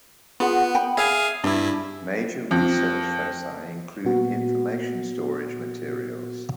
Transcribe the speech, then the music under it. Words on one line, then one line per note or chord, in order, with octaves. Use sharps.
Major research foci include information storage materials.
B3 F4 G#4 F#5
G5 B5
G#4 E5 F5 G#5
G2 D4 E4
F2
A#2 B3 F#4